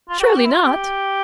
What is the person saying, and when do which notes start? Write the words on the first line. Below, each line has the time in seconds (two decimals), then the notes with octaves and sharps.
"Surely not?"
0.09 F4
0.20 G4
0.23 F#4
0.37 G4
0.45 E4
0.51 F4
0.65 G4